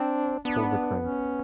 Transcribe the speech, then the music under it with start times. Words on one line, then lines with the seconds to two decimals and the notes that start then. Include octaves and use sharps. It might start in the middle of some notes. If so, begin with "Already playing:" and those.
Pull the crank.
Already playing: C4 D4
0.45 B3 D4
1.02 C#4